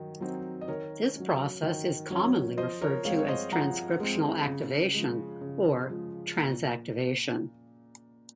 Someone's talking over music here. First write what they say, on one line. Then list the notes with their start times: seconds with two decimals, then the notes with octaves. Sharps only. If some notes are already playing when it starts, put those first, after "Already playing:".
This process is commonly referred to as transcriptional activation, or transactivation.
Already playing: D#3 F#3 D#4
0.20 F#3 C4 D#4
0.61 D#5
0.68 D#3 A#4 C#5
1.16 F#3 C#4
1.63 D#3
2.10 F#3 C#4
2.58 F3 C5 D#5
2.81 A#4 C#5
3.05 G#3 C4 C#5 F5
3.19 C#5
3.28 C5 D#5
3.52 F3 F#5 A#5
4.00 G#3 C4
4.47 C#3
4.94 F3 G#3
5.41 C#3
5.89 F3 G#3
6.36 A#2